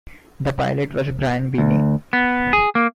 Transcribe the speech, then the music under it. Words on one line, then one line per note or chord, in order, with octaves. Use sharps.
The pilot was Brian Binnie.
D2
B3
G#4
A#3